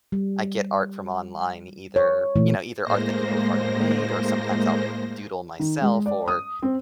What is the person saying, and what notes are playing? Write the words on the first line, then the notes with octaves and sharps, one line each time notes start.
I get art from online either, you know, either art that people have already made or sometimes I'll doodle myself or,
G3
C#5
A#2 E3 A3
A2 G#3 A#3 C5 A#6
D#3
G#3
D5
D#6
C4